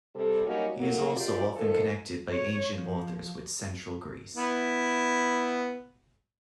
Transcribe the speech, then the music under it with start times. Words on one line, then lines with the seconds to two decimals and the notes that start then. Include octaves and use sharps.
He is also often connected by ancient authors with central Greece.
0.14 C3 G3 A4
0.45 F#3 G3 A#3 C#4 D#4 F#4
0.78 A2 F#3 A#3
1.15 F#2 F4 G4 D5
1.55 F#2 D#3 F3 A4
2.31 C#5
2.73 F3
4.35 B3 E4